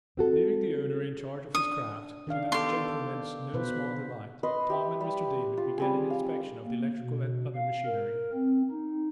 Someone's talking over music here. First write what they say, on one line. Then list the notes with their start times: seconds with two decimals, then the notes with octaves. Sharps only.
Leaving the owner in charge of his craft, to that gentleman's no small delight, Tom and Mr. Damon began an inspection of the electrical and other machinery.
0.17 C4 F#4 A4
1.55 D4 D#6
2.27 D#3 D4 F5
2.52 B3 G4 A4 C6
3.54 B2 B4 C5
4.43 B4 D#5 C6
4.70 G4 E5
5.00 G3
5.57 F4
5.78 G3 C4 G#4
6.10 F5
6.64 A#3
6.99 B2
7.55 F5
7.85 A#4
8.33 C4
8.71 D#4